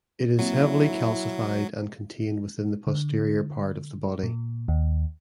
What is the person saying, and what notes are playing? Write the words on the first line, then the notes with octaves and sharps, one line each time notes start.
It is heavily calcified and contained within the posterior part of the body.
F#3 A#3 C4 E4
D3
A#2
D#2